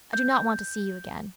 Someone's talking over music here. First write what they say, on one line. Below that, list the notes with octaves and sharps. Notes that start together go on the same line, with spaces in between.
I do not want to see you again.
G6